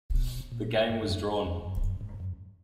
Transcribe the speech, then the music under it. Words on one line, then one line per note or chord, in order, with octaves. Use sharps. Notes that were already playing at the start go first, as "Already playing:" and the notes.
The game was drawn.
B2
A#2
G#2
F#2
F2
F#2
F#2
G#2
F#2